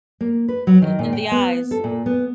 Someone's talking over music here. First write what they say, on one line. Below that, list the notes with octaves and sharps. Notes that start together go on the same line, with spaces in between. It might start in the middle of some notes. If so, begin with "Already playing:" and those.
I In the eyes.
A#3
B4
F#3
D#3
A#2
G5
B3
A4
A#2
B3